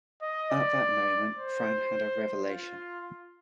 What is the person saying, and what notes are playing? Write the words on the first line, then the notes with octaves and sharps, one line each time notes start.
At that moment Fran had a revelation.
D#5
D5
C5
F4